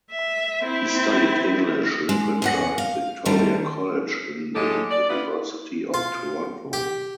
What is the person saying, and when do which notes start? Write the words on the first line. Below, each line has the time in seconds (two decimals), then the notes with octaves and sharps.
He studied English literature at Victoria College in the University of Toronto.
0.11 E5
0.63 C4 E4
2.09 G#3
2.42 E2 G#4 F#5
2.78 F5
3.25 D3 D#3 G3 A3
4.55 A2 F#3 G#3 G4 A4 D#5
4.90 D5
5.09 B3 E4 F4 B4
5.94 F4
6.73 G4